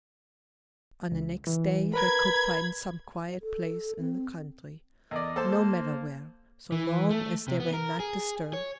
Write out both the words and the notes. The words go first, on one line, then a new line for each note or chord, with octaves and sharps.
On the next day they could find some quiet place in the country--no matter where, so long as they were not disturbed.
C#2
E3
A#4 B4 A#5 B5 G#6
A4
C4
E2 A4 A#4 D5 D#5
A#3 A4 C5 A5
E3
A3
C3
B3
A#4
G#4
C#5